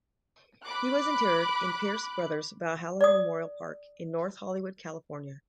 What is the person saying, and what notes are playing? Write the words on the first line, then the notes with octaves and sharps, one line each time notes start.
He was interred in Pierce Brothers Valhalla Memorial Park, in North Hollywood, California.
B5 D6 F#6
D5 D#6